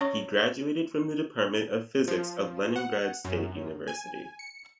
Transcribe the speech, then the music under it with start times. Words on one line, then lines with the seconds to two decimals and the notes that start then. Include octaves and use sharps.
He graduated from the Department of Physics of Leningrad State University.
0.01 C#4 C#5 C#6
2.08 F3
2.76 F#5
3.25 F#2
3.88 G#5
4.39 C#7